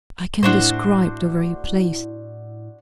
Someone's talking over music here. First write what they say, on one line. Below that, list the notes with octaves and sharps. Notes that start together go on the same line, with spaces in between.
I can describe the very place.
A2 D4 E4 F#4 C5